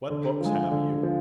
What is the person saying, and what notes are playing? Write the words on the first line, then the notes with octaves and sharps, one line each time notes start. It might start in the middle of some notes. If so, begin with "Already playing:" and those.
"What books have you?"
D3
F3 G#3
D3
F3